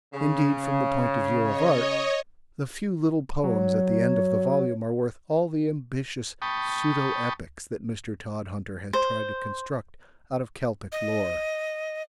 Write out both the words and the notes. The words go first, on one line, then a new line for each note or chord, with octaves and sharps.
Indeed, from the point of view of art, the few little poems at the end of the volume are worth all the ambitious pseudo-epics that Mr. Todhunter has tried to construct out of Celtic lore.
C#3
C#5 D#5
F#3 C#5
G5 A5 B5 C#6 D#6
C5
D#5